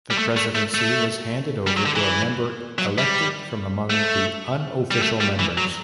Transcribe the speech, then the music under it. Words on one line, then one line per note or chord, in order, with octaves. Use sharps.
The presidency was handed over to a member elected from among the unofficial members.
G3
A3
A3
A3
A3
G3
F#3
D3
E3
F#3
G3
A3
G3
A3
G3
E3
F#3